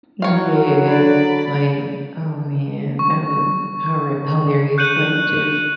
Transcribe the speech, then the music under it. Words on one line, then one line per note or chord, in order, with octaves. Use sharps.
Yes, like, oh man, that was horri hilarious, like, just
E3 F#3 C#5 F5
D3 D5 B5
C#6
F#6 G6 C#7 D#7 F#7